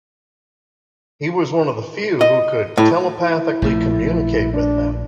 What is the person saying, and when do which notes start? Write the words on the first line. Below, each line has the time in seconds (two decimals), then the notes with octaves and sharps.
He was one of the few who could telepathically communicate with them.
2.21 D#5
2.78 A2
3.22 E4
3.62 A#1 F3 A3
4.53 D4